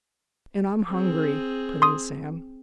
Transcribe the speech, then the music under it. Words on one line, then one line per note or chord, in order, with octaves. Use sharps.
"And I'm hungry," put in Sam.
C4 G#4
C6 D#6